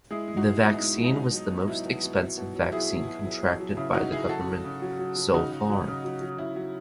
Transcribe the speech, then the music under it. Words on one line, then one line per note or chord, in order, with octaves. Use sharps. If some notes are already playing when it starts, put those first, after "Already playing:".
The vaccine was the most expensive vaccine contracted by the government so far.
G#3 E4 G#4
G#3
D#4 F#4
G#3
B2 E4
G#3 D#4
B2
D#4
B2
F#3
B2
F#3 E4
B2
B2
F#3
B2
F#3
F#3 E4 G#4
F#3
B2
F#3
F#3
F#3
C#3 E4
F#3 D#4 F#4
C#3 E4 G#4
F#3 F#4 A4
F#3
C#3
F#3
F#3
F#3
C#3 D#4 F#4
C#3
F#3
C#3
F#3
F#3
C#3 E4
F#3